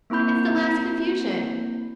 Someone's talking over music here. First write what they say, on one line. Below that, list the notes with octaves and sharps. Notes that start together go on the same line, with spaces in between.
It's the last confusion.
A#3 C4 E4 B5 G6